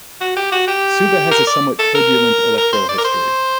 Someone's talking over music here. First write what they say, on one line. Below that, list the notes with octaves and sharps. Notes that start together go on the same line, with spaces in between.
Suva has had a somewhat turbulent electoral history.
F#4
G4
F#4
G4
A#4
D5
A4
A#4
A#4
C5
D5
A#4
C5